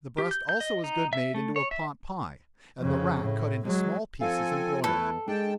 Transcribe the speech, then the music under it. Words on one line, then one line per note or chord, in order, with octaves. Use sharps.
The breast also is good made into a pot pie, and the rack cut into small pieces and broiled.
G4
G6
G6
D#5
D#4
E5
A3
C#5
E5
F2 C#3
A2
F#3 G#3
F3 C4 A4 F5 G#5
E2 A3 E4 A4 B4 A5
G#3 D4 G5 A5